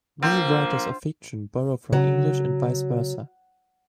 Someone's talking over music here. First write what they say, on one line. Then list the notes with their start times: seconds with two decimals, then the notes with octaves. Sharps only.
Many writers of fiction borrow from English and vice versa.
0.22 F3 A#3 D4 C5
1.93 C#3 F#3